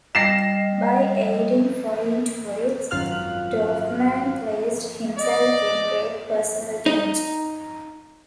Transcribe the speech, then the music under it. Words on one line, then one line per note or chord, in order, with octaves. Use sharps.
By aiding foreign tourists, Dorfman placed himself in great personal danger.
G3 D#5 A#6 C7 E7
G#1 F#2 F4 F5 F6 F#6
D5 D#5
D#4